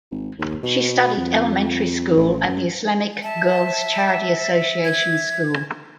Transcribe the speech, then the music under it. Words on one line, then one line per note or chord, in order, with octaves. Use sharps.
She studied elementary school at the Islamic Girls Charity Association School.
G#1
D#2
B2
F2
A1
F#2
E5 A5
G#6